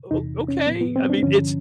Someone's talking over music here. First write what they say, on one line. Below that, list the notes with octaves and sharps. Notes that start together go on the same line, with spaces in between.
o okay, I mean, it's,
E2 C3 E3 D#4
C#4
A2 F3 B3
B3
C4
D4
G2 D3 F3 C#4